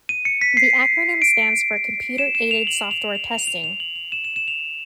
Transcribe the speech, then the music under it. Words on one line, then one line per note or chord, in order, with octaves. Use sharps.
The acronym stands for "Computer Aided Software Testing".
D#7
C#7
B6
C7
D7
E7
E7
F7
F#7
F7
F7
F7
F7
F7
F#7
F7
E7
E7
E7
F7